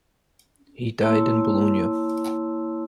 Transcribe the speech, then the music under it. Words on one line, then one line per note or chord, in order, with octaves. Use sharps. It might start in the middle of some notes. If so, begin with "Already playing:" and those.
He died in Bologna.
A#3 E4 C#5 A5 C6 E6